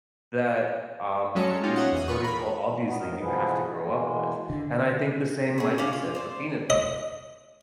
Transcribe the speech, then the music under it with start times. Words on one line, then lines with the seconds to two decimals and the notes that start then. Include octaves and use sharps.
that, um, you sort of well, obviously, you have to grow up with, and I think the same might be said for peanut butter
1.35 F#3 G#3 C#4 A4 C#7
1.63 C#4 D#4 F4 G4
1.76 C#5 D#5 E5 F#5
1.92 E2 D#6
2.08 F4 B4 C#6
2.22 A#4 B5
2.67 A#2 E3
2.86 B3 D#4 F#4
2.99 F2 A2 A#4 D#5
3.20 B2 D3 E3 F3 G#4 B4
3.84 B2 E3 G#3 A#3
4.50 D3
5.58 C#4 G#4
5.78 D4 G4 F5 G#5
5.93 F4
6.15 C5 D5
6.70 D#5